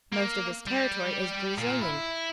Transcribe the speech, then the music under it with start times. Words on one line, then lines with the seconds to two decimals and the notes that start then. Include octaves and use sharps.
Most of this territory is Brazilian.
0.12 A#3
0.67 G3
1.58 A#2
1.81 E4